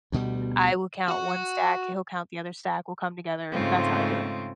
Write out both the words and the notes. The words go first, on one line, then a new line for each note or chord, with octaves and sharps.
I will count one stack; he'll count the other stack. We'll come together; that's how I do it.
D2 B2 G3
F#4 F#5
G#2 C#3 G#3 A3 C4 F4